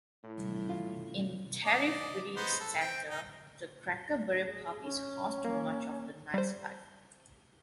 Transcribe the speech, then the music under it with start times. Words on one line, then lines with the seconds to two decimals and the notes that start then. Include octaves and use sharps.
In Tariffville's center, the Cracker Barrel Pub is host to much of the night-life.
0.24 A2 E4
0.69 F4
1.65 D5 D#5
2.36 B3 D#4 C5
2.60 A4
2.80 C4 G5
3.09 D#4
4.46 G#4
4.81 C#4
5.45 A#3
6.34 G3 C5